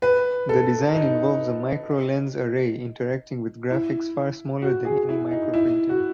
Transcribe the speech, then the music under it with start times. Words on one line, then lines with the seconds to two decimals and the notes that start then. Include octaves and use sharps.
The design involves a micro-lens array interacting with graphics far smaller than any microprinting.
0.02 B4
0.49 A4
0.94 D#4
3.70 E4
4.62 F#4
4.85 G#4
5.09 E4
5.31 D#4
5.53 E4
5.89 F#4